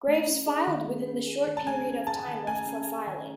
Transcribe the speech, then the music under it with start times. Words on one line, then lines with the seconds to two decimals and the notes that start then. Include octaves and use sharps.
Graves filed within the short period of time left for filing.
0.08 A3
0.27 C#4
0.47 G#4
0.67 D#3
0.87 A3
1.07 C#4
1.27 G#4
1.47 D#3
1.57 A5
1.67 A3 G#5
1.87 C#4
2.07 G#4 A5
2.27 D#3
2.47 A3 G#5
2.67 C#4
2.87 G#4
3.07 D#3